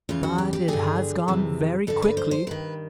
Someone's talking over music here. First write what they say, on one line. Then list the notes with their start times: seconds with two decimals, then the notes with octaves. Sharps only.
"But it has gone very quickly."
0.09 E2 C#3 E3 F4
0.23 F#4
0.38 G4
0.53 G4
0.68 G2 D3 G#4
1.28 F2 C3 E3
1.87 G2 D3 A4
2.02 B4
2.17 C5
2.31 C5
2.47 G2 D#3 B4